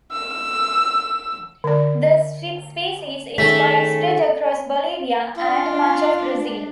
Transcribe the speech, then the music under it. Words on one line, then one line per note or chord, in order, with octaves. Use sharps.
The species is widespread across Bolivia and much of Brazil.
E6
D3 D5
D#3 A3 C#4 G#4 B6
D4 F4